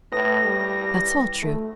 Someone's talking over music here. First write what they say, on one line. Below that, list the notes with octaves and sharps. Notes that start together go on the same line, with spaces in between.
That's all true.
A2 E4 B4 D#6 A#6
G3
A3